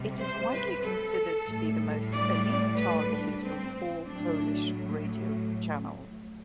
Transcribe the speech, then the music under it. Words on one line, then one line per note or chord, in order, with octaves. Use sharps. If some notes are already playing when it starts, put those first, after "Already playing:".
It is widely considered to be the most elite-targeted of all Polish radio channels.
Already playing: C3 G3
C5
B4
A4
A2 G3
D5
B4
D4
C4
A2 F#3 D4